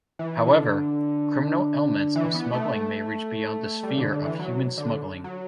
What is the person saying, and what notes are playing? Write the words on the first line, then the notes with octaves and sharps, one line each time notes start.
However, criminal elements of smuggling may reach beyond the sphere of human smuggling.
E3
D3
E3
B3
A3
G3
D3
D3
E3
F#3
D3
F#3